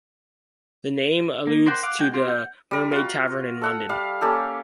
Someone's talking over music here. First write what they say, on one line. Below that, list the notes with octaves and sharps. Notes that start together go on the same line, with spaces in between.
The name alludes to the Mermaid Tavern in London.
A#3
A#4 C5 D5 F#5 G5
F5 F#5 D6
G#3 D4 F#4 G5 G6
C4 F4 G4
F#5 G6
G3 A#4
F4 F#4
A4 F#5 E6
G3 F5
A#3 C#4 G4 A4